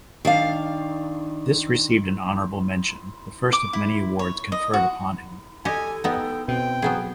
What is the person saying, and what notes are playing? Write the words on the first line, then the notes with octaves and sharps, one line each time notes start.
This received an honourable mention, the first of many awards conferred upon him.
D#3 D4 F5
D6
E4
C#5
D#5
F#4
G4 A4 D#5 G#5
B3 D#4 G5
B2 C4 G5
F#3 B3 G#4